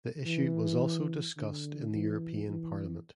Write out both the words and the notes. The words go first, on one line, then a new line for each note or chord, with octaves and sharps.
The issue was also discussed in the European Parliament.
E3
D3
E3
E3